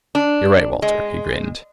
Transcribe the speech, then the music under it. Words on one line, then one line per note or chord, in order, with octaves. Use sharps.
"You're right, Walter," he grinned.
D4
G#3